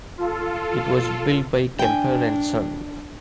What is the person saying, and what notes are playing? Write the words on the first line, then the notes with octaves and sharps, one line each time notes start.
It was built by Kemper and Son.
F4 A4
D4 G5 G#5